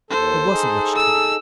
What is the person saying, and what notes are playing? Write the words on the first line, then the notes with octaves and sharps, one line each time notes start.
There wasn't much time.
D#2 A4 C5
D#4 G#4 A4
E6